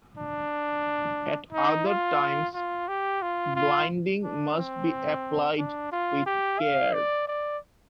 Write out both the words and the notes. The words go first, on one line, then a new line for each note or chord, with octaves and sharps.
At other times, blinding must be applied with care.
D4
D#4
F4
F4
G4
F4
F4
D4
C4
D4
F4
G4
F5
D5
D5